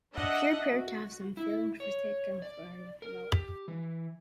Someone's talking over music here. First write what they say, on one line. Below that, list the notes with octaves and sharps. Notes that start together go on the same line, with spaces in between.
She appeared to have some feelings for Synch, and flirted with him a lot.
D4 D#5 E5 F#5
F#4
E4
C#5
D5
A#4
G4
E3